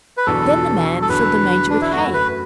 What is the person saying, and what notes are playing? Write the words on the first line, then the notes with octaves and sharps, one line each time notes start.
Then the man filled the manger with hay.
B4
E2 B2 F#3 D4 F#4 A4
A4
E2 D3 F#3 B4
D4
E4
F#2 F#3 A3 F#4
B4